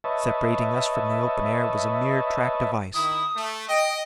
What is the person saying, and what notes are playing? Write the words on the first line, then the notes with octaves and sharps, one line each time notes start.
Separating us from the open air was a mere tract of ice.
B4 C#5 D#5 E5 A5
D#3 E4 D#6
A3
D#5 G5